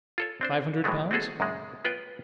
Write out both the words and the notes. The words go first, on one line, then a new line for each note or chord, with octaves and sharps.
Five hundred pounds?'
F4 A4 C#5
C4 D4 C5
A2 E3 F#3 G#3 A3
C4 F4 F#4 G#4 A4
F#2 A#2 C#3 G#3
B3 F4 B4 C#5 G5